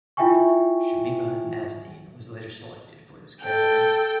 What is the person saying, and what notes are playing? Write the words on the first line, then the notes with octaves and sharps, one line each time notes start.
Shamima Nazneen was later selected for this character.
E4 F4 E5 G5 G#5 C#6
A4 G5